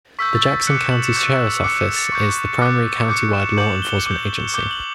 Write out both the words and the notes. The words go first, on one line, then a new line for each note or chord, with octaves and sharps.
The Jackson County Sheriff's Office is the primary county-wide law enforcement agency.
C#6 E6 G6 B6
A6
A6
B6
D6 F#6 C#7
E7
F#7
E7
D6 G6 E7
E7
D6 F#6 C#7
A6
C#6 G6
D6 F#6
D6 G6 C#7
E7
D6 G6 F#7
G7
D6 G6
D6 G6 G7
F#7